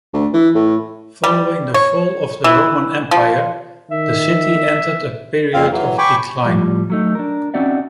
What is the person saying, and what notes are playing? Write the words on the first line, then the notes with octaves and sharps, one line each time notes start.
Following the fall of the Roman Empire, the city entered a period of decline.
D2
E3
A2
G3
C#5
E3
F3
D#3 E5
F2 A#2 C4 F5
E3 F#3
G5 G#5 B5 C#6 D6
A2 F3 G3
F#3 A3 D#4
D4 A#4
C4 C#4 D#4 F#4 D5 E5